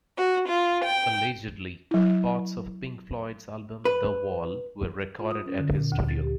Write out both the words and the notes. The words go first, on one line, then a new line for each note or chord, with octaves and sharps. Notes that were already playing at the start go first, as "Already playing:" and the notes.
Allegedly, parts of Pink Floyd's album "The Wall" were recorded at his studio.
F#4
F4
G5
F#3 E4
B4
F4
D#6
C#4
D3
A#2
D2
A6
G4